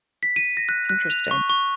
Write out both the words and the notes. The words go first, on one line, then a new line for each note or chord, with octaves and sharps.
it's interesting.
B6
D#7
A#6
F#6
F#6
F7
C#6
C#6